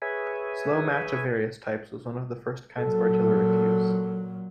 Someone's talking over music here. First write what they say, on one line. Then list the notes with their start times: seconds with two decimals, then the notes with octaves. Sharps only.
Slow match of various types was one of the first kinds of artillery fuse.
0.02 G#4 B4 C#5 E5 G#5
2.79 A#2 F#3 A4